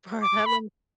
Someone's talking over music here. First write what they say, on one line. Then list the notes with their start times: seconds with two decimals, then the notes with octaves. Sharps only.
For that long
0.22 D6
0.46 B5